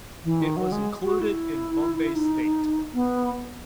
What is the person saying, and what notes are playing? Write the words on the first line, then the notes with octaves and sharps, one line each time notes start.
It was included in Bombay state.
E3
D#3
F#3
G#3
F#4
E4
D#4
B3